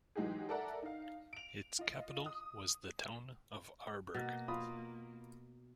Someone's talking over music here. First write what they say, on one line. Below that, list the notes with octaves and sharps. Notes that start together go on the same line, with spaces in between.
Its capital was the town of Aarberg.
E3 F#3 G#3 D#4 G4 G#4
A4 A#4 D5 E5 F#5 A#5
D#4 F5
D7 F7
F4 D#5
D#6
B2 A#3
F4 B5 D#6